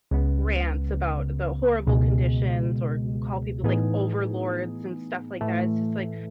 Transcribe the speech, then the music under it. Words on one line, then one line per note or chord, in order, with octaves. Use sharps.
rants about the horrible conditions or n call people like, overlords and stuff like that, it's just like,
C#2 C#3 G#3 B3
C#2 B2 G#3
A2 E3 B3 D#4 G#4
A2 E3 A3